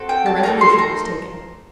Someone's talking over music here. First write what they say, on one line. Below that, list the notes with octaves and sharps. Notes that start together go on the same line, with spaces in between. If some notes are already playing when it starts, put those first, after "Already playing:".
Her resolution was taken.
Already playing: C4 F#4 A4
G5
A5
A#3 D#4 A4 A#5
C6
A#5